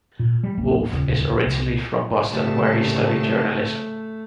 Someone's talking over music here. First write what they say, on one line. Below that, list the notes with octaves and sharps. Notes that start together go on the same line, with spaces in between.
Wolf is originally from Boston where he studied journalism.
A#2
G3
D1 A1 A#3
D#1 C#2
C2
C2 A2 C#3 A3 A5